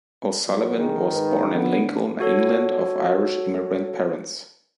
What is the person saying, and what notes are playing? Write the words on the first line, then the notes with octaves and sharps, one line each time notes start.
O'Sullivan was born in Lincoln, England of Irish immigrant parents.
F#3
D#3 G#4
G#2 B4
D3 B3
F#4 A4 C#5